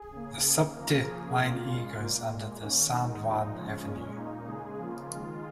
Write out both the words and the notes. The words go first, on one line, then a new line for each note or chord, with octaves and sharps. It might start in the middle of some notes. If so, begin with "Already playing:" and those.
The Subte Line E goes under the San Juan Avenue.
Already playing: G#4
C#3 A#3
C#3 A#3
C#3 F3 A#3 A#4
C#3 F3 A#3 G#4
A#2 A#3 F4
C#3 G#3
A#2 A#3
A#2 G#3
D#3 A#3 C#4
D#3 G#3 D#4
A#2 F3 G#3
C#3 F3 G#3 C#4
A#2 G#3
A#2 A#3 D#4
C#3 G#3 G#4
C#3 F3 A#3 F4
D#3 G#3